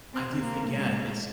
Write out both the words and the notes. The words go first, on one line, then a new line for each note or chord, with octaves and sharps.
I do think yeah, it's
C4
A#3
G#3